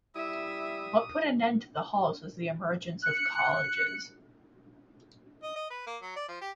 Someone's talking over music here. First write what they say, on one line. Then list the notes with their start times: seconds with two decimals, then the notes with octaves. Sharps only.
What put an end to the halls was the emergence of colleges.
0.16 G3 E4 E5 D#6
3.02 F#6 C#7
5.43 D#5
5.56 D#5
5.70 B4
5.87 A#3
6.02 F#3
6.16 D5
6.28 F3
6.41 G4